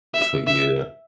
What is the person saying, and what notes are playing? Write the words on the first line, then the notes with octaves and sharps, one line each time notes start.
So, yeah.
E5
E5